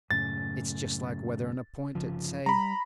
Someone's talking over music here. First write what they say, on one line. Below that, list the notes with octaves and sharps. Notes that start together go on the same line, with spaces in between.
It's just like weatherin' a point at say.
F#2 A2 C#3 A6
G1 C#3 F3
G3 A#5 B5